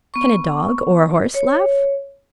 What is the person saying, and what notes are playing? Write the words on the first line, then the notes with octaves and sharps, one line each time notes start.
Can a dog, or a horse laugh?
B3 C#6
C#5